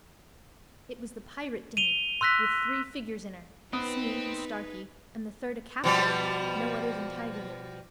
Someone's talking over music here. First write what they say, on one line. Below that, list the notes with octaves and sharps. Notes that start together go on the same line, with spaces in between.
It was the pirate dinghy, with three figures in her, Smee and Starkey, and the third a captive, no other than Tiger Lily.
D#7 F7 G7
C6 E6 F#6 A#6 B6
B3 C4 D#4 B4 D#6
B2 F3 G3